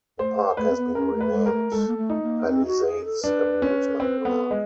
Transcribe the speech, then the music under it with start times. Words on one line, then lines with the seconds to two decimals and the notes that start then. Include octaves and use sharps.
The park has been renamed Palisades Amusement Park.
0.19 A3 C5
0.57 A3 B4
0.70 C4
0.77 B3
0.95 C#4 A#4
1.14 A3
1.21 B4
1.33 G#3
1.46 A#4
1.52 A3
1.72 G#3 A4
1.87 A#3
1.97 A3
2.10 D#4
2.22 A#3
2.47 C4
2.66 F#4
2.86 G#4
3.05 A4
3.23 D4 B4
3.62 C#4
3.99 C4 B4
4.19 A4
4.25 B3
4.51 G#3